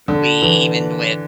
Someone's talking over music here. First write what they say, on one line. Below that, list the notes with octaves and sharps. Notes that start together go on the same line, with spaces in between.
we even with,
D3
E3